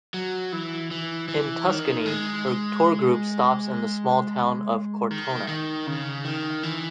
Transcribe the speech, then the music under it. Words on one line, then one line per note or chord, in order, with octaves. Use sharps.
In Tuscany, her tour group stops in the small town of Cortona.
F#3
E3
E3
E3
D#3
G#3
D#3
D#3
C#3
D#3
E3